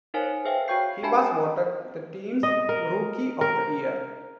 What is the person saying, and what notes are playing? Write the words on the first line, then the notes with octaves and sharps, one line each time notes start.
He was voted the team's Rookie of the Year.
D#4 A#4 C5 C#5 F5 G#5
G#4 B4 C5 E5 F5 G5
F#4 C#5 G5 C#6 G6 C7
D4 G4 E5 G#5 A5 B5
D#5
A#4
A#4